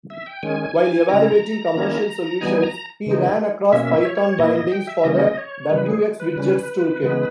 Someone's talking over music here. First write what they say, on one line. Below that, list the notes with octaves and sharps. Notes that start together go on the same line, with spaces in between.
While evaluating commercial solutions, he ran across Python bindings for the wxWidgets toolkit.
E5
G5
D#3 G#3 C#4 G#5
G#5
C#3 G#3 C#4 E4 A#5
D#3 A#3 C#4 E4
E3 G3 B3 D#4 G#5
A#5
C#3 E3 G#3 D#4
B2 A#3 C#4 E5
C#5
A#2 A#3 E4 D#5
D#5
G5
E5
C#3 E3 G3 A#3 C#4 D#5
C#5
C#3 E3 G3 B4
G#4
B4
C#3 G3 C#4
C#3 E3 G#3 B3